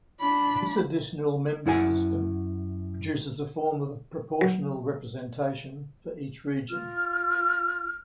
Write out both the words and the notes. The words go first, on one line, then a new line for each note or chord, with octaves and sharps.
This additional member system produces a form of proportional representation for each region.
D4 B5
F#2 E4 F#5 G#5
F#3
F4 F6